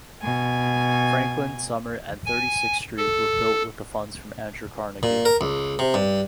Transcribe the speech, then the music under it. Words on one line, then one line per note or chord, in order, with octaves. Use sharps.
Franklin, Sumner, and Thirty-Sixth Street were built with funds from Andrew Carnegie.
B2 G#5
G#5
A4
A#2
A#4
C#2
C3
G2